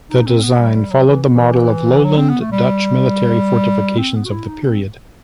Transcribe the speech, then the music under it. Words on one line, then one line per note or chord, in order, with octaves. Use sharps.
The design followed the model of lowland Dutch military fortifications of the period.
D#4
C4
B3
G3
G3
F#3
E3
E3
F#3
C4
B3
A3
G3
C4
B3
F#4
E4
D#4
C4